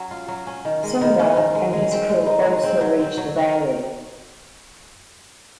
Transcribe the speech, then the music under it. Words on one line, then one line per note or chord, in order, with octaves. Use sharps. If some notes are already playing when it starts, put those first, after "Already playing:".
Sinbad and his crew also reach the valley.
Already playing: F#3 C#4
F4
F#3
C#4
D#3
G#3
D#3
C#4
D#3
G#3
G#3
C4
G#3
D#4
G#3
C4
F#3
C4
F#3
F#4